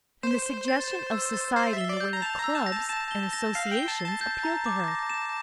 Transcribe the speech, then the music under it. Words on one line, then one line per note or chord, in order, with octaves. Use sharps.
And the suggestion of society in the way of clubs and associations appealed to her.
C5 E7
G7
A6
E7
E6
A6
C5 C7
E5
G7
D5
G6
A#5
A5 F7
A#5
E6
A5
A#6
A5
A5 E7
G7
A#6
F5 C7
G5
G7
A5
A5 A6
G6
A#5
D6
A#6
E7